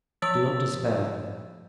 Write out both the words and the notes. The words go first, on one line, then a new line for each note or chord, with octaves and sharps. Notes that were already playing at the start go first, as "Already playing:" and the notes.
Do not despair!
F3 C#5 E6 A6